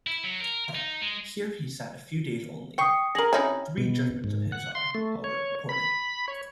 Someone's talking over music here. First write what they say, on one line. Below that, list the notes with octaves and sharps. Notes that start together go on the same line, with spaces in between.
Here he sat a few days only; three judgments of his are, however, reported.
E4
F#3
A#4
D#4
G#3
G5 C#6 D#6 C7 C#7
G#4 A#4 A#6 F#7
C3 C#4 D#4 E4 C#5 F6
B2
G#2
F#5
C6
A3
C#5
B5
C#5